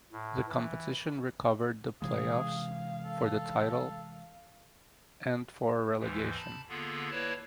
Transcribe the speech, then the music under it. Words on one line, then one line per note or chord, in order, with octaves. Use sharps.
The competition recovered the playoffs for the title and for relegation.
A2
E3
C3 E3 G#3 G#4 F5
A4
D#2 G#2 E3
A5 B5
D3 A#3 B3 F4 G#4 A4
A#3 E4 B4 C#5 D5 A5